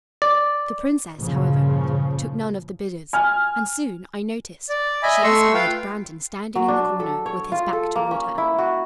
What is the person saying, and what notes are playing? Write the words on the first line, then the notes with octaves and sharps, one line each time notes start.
The princess, however, took none of the bidders, and soon, I noticed, she espied Brandon standing in the corner with his back toward her.
D5
G2 A#2 C#3 F3
G#5 F6
D5
D#5 E5 G#5 B5
A3 C6 C#6 E6
F4 B4 F5 G5
F#3
D4
A4
C#5
F4
A4
A#3
C#4
E4
F#4